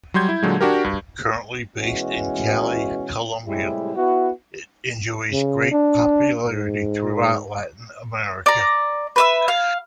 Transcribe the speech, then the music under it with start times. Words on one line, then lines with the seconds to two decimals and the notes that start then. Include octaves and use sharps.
Currently based in Cali, Colombia, it enjoys great popularity throughout Latin America.
0.14 F#3 G3 C6 G6 G#6
0.29 E4
0.43 A#2 D3 F#3 G#3
0.61 D4 F#4 G4 A#4
0.85 G2
1.76 B2 E3 G#3 C#4 F#4
3.46 A2 C3 G3 G#3 E4
3.95 B3 E4 F#4
5.32 C#3
5.72 D4
6.48 G#2
8.46 D5 A#5
9.16 B4 E5 E6
9.48 F5